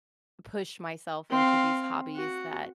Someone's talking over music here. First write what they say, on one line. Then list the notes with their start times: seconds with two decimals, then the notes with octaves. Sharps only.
push myself into these hobbies that
1.30 C4 F5
2.16 F#4